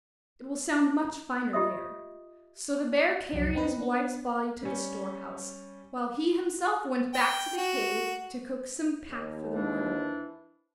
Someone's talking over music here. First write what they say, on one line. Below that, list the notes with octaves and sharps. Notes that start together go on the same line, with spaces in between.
It will sound much finer there.' So the bear carried his wife's body to the storehouse, while he himself went back to the cave to cook some pap for the mourner.
F4 G4 D#5 E5 D#6
C2 F2 F#3
C4 D#4 B4
B3 D4
G3 C#4
G5
F#4
D#2
E3 F3 D4